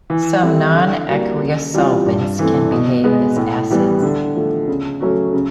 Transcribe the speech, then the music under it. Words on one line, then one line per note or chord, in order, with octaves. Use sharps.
Some non-aqueous solvents can behave as acids.
E3
G3 C4 E4 A4
D3
G3 A#3 D4 F#4
C#3
E3 G3 C4 F4
G2
E3 A3 C4
B2
G#3 B3
A2
E3 G3 B3
D3
F3 A3
C#3
F#3 A3 C#4 F#4
C#3